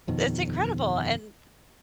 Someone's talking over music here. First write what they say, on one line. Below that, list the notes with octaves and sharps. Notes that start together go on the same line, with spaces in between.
it's incredible, and
G1 F2 B2 D#3